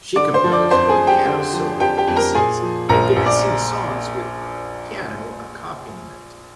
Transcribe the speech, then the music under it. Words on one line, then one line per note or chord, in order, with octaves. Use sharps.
She composed both piano solo pieces and Galician songs with piano accompaniment.
D3 D5 D6
C5 C6
F3
D5 D6
F2 C5 C6
G#4 G#5
F2
G4 G5
D3
F3
F2 G4 G5
G4 G5
F2
A#4 A#5
A#2 G#4 G#5
F3
A#1 A#4 A#5
A#1
D5 D6